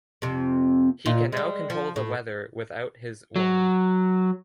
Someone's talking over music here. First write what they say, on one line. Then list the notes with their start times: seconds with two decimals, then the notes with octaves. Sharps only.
He can now control the weather without his wand.
0.22 F2 C3
1.06 A#2 D#4 F4
1.32 G3 G#3
1.70 F3
1.96 A2
3.36 F#3